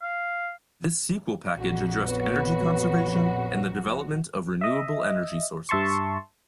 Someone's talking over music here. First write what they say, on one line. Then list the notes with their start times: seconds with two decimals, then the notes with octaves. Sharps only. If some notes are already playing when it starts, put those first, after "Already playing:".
This sequel package addressed energy conservation and development of renewable energy sources.
0.03 F5
1.55 A#1 F2 F#4
2.07 B3 B4 C#5
4.61 D#5 E5
5.69 G2 E5 A5 C6 C#6